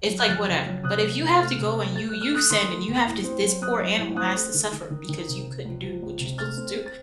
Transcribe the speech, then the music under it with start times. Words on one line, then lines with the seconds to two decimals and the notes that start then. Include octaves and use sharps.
it's like, "Whatever." But if you have to go and you you sin and you have to this poor animal has to suffer because you couldn't do what you're supposed to do,
0.10 F#3
0.19 F#6
0.29 F2 F6 A6
0.48 C#3
0.66 F#3
0.84 C3 D#6 F#6
1.02 A3
1.20 C3
1.40 A3 F6 A6
1.59 C3
1.77 A3
1.95 A3 A6
2.09 A3 F#6
2.21 F6
2.32 A3 D#6 F#6
2.50 D#3 C6 D#6
2.69 A3
2.88 D#2
3.07 A2
3.24 C4
3.43 F#3
3.61 C4 D#6 F#6
3.80 F#3
3.98 A2
4.17 C4 D#6 F#6
4.36 A3
4.54 D#3
4.72 D#3
4.90 D#3
5.09 D#3
5.28 C3
5.47 C3
5.65 C#2
5.83 F3
6.02 C#2
6.20 C3
6.38 A3 F6 A6
6.58 C4
6.76 C4
6.86 A6